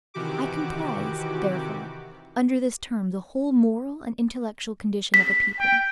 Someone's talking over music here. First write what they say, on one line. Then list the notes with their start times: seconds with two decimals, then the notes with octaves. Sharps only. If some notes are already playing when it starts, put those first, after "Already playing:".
I comprise, therefore, under this term the whole moral and intellectual condition of a people.
0.14 C3 D#3 E3 F#4 G4 D6
5.14 B6
5.59 G5